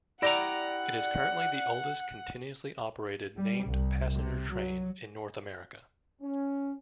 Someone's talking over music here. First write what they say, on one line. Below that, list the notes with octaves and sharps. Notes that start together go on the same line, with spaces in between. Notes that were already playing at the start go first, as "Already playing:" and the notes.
It is currently the oldest continuously operated named passenger train in North America.
E4 G4 D5 F#5 A#5 E6 A#6
G3
C2
C3
F#3
C#4